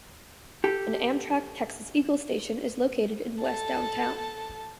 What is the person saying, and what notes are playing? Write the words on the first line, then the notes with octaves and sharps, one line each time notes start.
An Amtrak "Texas Eagle" station is located in west downtown.
G4 A4
A4 A5